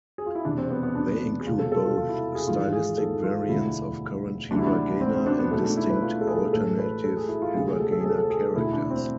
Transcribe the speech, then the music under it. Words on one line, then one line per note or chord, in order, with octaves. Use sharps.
They include both stylistic variants of current hiragana and distinct alternative hiragana characters.
G#4
F4
E4
E1 E2 C3 D4
C4
B3
B3
D4
G#4
C2 B2 G#3 F4
A4
A4
F4
F4
E4
G#4
G#1 G#2 E3 F4
G#4
A4
F4
E1 D2 D3 F3 G#3 E4
D2 C3 E3 G#3 D4
E4
D4
C4
C4
D4
B3
B1 B2 G#3 A3
D4
E4
B4
F4
A4
G#4
A1 A2 G#3 A4
B4
A4
G#4
E4
F4
D2 C3 G#3 G#4
G#4
A4
A4
G#4
A4
A4
G#4
E1 D2 D3 E4
D4
C4